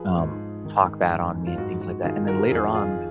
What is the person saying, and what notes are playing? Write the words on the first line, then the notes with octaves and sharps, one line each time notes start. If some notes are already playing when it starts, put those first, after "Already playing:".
um, talk bad on me and things like that and then later on,
Already playing: F3 G#4 B4
G#2
D#3
F#2
F4
G#2 F#4
F#4
D#3 F4 G#4
F#4 A#4
F2 F4 G#4
F4 G#4